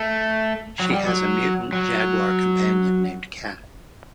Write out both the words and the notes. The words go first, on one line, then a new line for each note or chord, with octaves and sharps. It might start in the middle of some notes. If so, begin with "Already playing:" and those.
She has a mutant jaguar companion named Cat.
Already playing: A3
F#3
G3
F#3
F#3